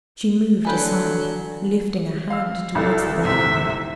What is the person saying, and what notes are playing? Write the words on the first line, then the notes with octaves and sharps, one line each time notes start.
She moved aside, lifting a hand toward the bell-cord.
D3 F#3 A4 B4 G5 G#5
F5 E6
C2 A4
D#1 G#2 C3 E5